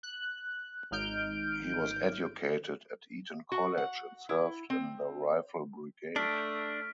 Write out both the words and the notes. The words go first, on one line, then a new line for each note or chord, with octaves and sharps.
He was educated at Eton College and served in the Rifle Brigade.
F#6
G#1 D#4 F6 G6 D7
F#4
F#5
E4
C4
A3 D4 F6 B6 D7